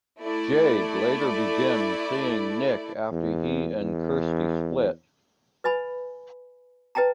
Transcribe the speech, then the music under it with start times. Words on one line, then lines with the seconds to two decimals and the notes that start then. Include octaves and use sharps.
Jade later begins seeing Nick after he and Kirsty split.
0.22 A3 E4 D5
3.12 E2
3.81 E2
5.64 B4 D#5 G#5 B5
6.95 B4 D#5 G5 A5 A#5